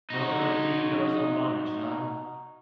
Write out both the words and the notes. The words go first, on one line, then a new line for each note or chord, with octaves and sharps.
No go deed goes unpunished, huh?
D#4 F#4